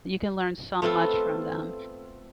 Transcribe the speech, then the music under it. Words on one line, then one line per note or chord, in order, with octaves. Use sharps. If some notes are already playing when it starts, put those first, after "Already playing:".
You can learn so much from them,
A3 B3 C4 F4 A4